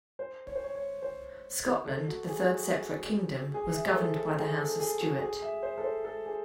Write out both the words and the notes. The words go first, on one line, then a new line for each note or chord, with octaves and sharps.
Scotland, the third separate kingdom, was governed by the House of Stuart.
C5
C#5
C5
C#5
C#5
C5
A4
F#4
G#4
F#4
G#4
E5
A4
C5
A4
A4
G#4
A4
G#4
F#4
G#4
E5
C5
A4
C5
A4
G#4